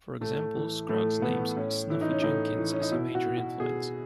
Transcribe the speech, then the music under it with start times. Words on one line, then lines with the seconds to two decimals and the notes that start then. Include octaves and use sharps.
For example, Scruggs names Snuffy Jenkins as a major influence.
0.21 A2 A3
0.55 E3
0.89 A2 A3
1.22 E3 B3
1.56 A2 C#4
1.90 E3 E4
2.01 D#4
2.11 C#4
2.22 A2 D#4
2.58 E3
2.72 C#4
2.82 D#4
2.92 B2 E4
3.15 F#4
3.38 F#4
3.60 B2 G#4